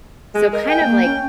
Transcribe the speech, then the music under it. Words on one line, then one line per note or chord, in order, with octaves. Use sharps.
So, kind of, like,
G#3
A#4 D#5
G5 G#5
A#3
C#4